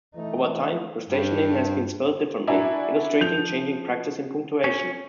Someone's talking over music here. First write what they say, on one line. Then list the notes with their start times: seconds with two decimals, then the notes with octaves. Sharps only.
Over time, the station name has been spelt differently, illustrating changing practice in punctuation.
0.16 E3 A3 D#4
1.09 G2
2.47 D4 E4 F#4 G#5 A#5
3.21 F3 G6 F7
4.64 C#4